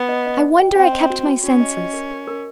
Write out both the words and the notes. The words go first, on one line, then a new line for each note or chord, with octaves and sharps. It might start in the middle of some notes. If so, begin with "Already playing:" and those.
I wonder I kept my senses.
Already playing: B3
D#5
D#5
D#5
G5
C4 G5
D#5
F#4
F#4
C#4 F#4
D#5
D#5
A#4
A#4
A#4